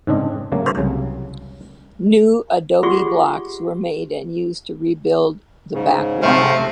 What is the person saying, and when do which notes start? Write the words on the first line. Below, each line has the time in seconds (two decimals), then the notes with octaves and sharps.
New adobe blocks were made and used to rebuild the back wall.
0.07 G#2 C#3 C4 D4 D#5
0.52 C#3 F#3 A3 A#3
0.78 C2 C#3 F#3
2.83 F4 G4 G#4 F#5 C6 C#6
5.74 G#2 C#3
6.23 C3 F3 A3 C4